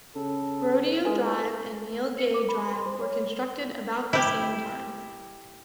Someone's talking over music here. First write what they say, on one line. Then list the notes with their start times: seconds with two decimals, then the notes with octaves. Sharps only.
Rodeo Drive and Neal Gay Drive were constructed about the same time.
0.16 C#3 A4
1.05 G#3 A4 B4 G#5
2.18 C#7
2.34 D6
2.49 B5
2.72 C6
2.86 C5
3.01 C#5
4.13 E4 G4